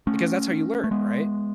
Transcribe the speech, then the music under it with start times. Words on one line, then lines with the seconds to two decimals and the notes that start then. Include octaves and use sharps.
Because that's how you learn, right,
0.07 A3 C#4
0.84 A3
0.91 G#3 B3